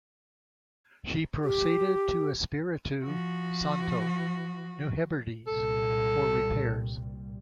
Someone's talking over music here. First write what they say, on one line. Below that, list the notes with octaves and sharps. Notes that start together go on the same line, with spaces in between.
She proceeded to Espiritu Santo, New Hebrides, for repairs.
G4
F3 F#4
C2 A#2 G3 A4